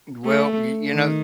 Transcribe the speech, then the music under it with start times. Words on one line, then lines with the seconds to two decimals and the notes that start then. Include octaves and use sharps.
Well, y you know,
0.25 A3
0.91 D#3